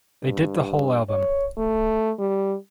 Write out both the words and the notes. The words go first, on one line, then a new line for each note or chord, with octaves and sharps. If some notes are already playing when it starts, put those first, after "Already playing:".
They did the whole album.
G2
C#5
A3
G3